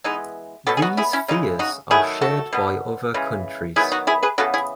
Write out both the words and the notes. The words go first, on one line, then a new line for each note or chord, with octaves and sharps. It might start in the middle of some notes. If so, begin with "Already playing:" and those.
These fears are shared by other countries.
E3 G#3 B3 D#4
B2 F#3 B3 F#4 A4
G#4
D#4 F#4
E4 G#4
C#4 E4
C#3 E3 G#3 D#4
D#4 F#4
D#3 F#3 A3 E4 G#4
F#4 A4
B2 F#3 B3
C#3 E3 G#3
D#3 F#3 B3 E4 G#4
D#4 F#4
E4 G#4
G#4 B4
C#3 E3 B3 F#4 A4
E4 G#4